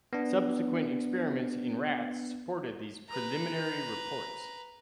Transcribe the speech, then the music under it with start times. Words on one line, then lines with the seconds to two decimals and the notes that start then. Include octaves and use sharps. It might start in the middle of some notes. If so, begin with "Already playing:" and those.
Subsequent experiments in rats supported these preliminary reports.
0.13 B3 D4
3.09 B4 A#5